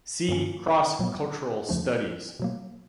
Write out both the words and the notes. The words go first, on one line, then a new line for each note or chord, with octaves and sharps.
See Cross-cultural studies.
G2 D#3 F#3 A#3 C#4
A#2 F#3 B3
E2 C#3 F3 A3 D4
B2 F#3 A#3